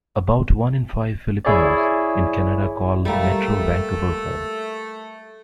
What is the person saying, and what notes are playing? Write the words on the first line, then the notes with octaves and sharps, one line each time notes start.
About one in five Filipinos in Canada call Metro Vancouver home.
E4 G#4 C#5 D5
G3 A3 A#3